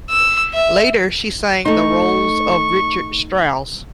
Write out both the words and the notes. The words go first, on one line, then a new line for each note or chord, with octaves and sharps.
Later she sang the roles of Richard Strauss.
E6
E5
A3 D#4 C#6